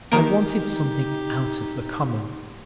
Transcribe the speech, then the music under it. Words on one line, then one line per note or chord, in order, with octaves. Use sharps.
I wanted something out of the common.
D#3 A#3 D#4 G4 A#4 A#5 D7